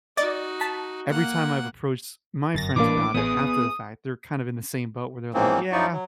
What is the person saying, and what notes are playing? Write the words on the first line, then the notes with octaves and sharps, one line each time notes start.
every time I've approached my friends about it after the fact, they're kind of in the same boat where they're like, "Yeah,
D#4 F#4 D5 D#5 A6
A5 B6
A#3 F#5
G1 F#2 A6 A#6
A1 E3 A#3 D4 D6
A1 B3 G#4 D#6
G#2 E3 F3 A#3 C4 C#4
F#2 F#3 D#4 E4 D5 C#6
F#3